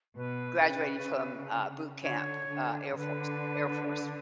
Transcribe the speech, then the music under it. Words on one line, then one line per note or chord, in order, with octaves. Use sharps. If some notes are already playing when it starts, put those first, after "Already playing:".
graduating from, uh, boot camp, uh, Air Force Air Force
B2 B4
C#3
D3 C#5
D3
D3 B4